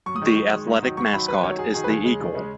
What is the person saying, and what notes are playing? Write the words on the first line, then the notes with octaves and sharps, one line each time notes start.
The athletic mascot is the Eagle.
F#2 C#6
D#6
D#3 G#3 C#6
F#2
D#3 G#3
G#2
D#3 F#3
G#2 C#6
D#3 F#3 B5
F#2 B4
D#3 F#3 C#5
F#2 G#4
D#3 F#3 G#4
B4
D#2 G#4
C#3 G#3
D#2
C#3 G#3